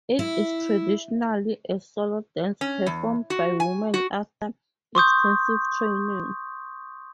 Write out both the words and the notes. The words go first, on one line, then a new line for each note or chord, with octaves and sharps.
It is traditionally a solo dance performed by women after extensive training.
E4
C#4
E2
F#4
G#5
F#4
C6 C#6 D#6 G6